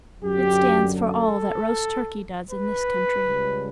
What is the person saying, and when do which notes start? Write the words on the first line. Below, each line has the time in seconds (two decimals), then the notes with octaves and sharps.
It stands for all that roast turkey does in this country.
0.22 F#2 D3 F#3 G4
0.98 A4
2.50 B4
3.25 C#2 C#3 G3